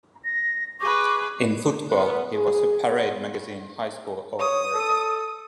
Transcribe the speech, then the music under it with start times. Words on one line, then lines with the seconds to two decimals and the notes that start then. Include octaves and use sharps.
In football, he was a "Parade" magazine high school All-American.
0.25 A#6
0.81 G#4 B4 C#6 D6
1.94 B3
2.33 G#4
2.85 B3
4.39 C#5 D#6
4.74 A4